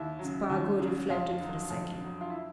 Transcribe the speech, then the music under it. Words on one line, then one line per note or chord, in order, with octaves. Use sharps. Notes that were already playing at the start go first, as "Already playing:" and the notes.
Spargo reflected for a second.
Already playing: D#2 E4
C#3 F#3
D#2
C#3 F#3
F2 F4
D3 F#3
F2
D3 F#3
F4
E4